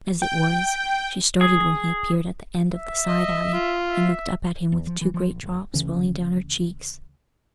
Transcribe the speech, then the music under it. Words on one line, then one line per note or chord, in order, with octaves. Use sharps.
As it was, she started when he appeared at the end of the side-alley, and looked up at him with two great drops rolling down her cheeks.
G5
G#4
E5
D#5
F4
E5
E2
F3
E3
F3
A#1
F#1
D2 C#3 E3 C#4